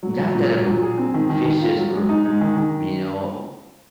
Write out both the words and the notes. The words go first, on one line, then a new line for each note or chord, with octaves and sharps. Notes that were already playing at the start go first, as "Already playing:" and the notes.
not that I'm vicious or, you know,
F#3
F#3
A#2
F#3
A#2
G#4
C4
D#3
D#3
D#3
F4
F#3
G#3
D#4
G#3
D#3
D#3